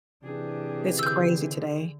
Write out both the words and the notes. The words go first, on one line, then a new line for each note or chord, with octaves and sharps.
It's crazy today.
C3 E3 D4 G4 G#4
D3 E6 G6